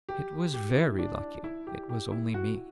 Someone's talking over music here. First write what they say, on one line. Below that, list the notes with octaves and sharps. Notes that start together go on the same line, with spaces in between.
It was very lucky it was only me.'
G4
G4
E4
D4
E4
G4
G4
E4
F#4